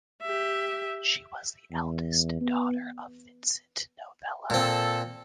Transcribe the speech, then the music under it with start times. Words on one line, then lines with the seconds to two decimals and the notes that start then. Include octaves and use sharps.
She was the eldest daughter of Vincent Novello.
0.22 G4 E5
1.71 E2
2.41 B3
4.50 A#2 C4 A4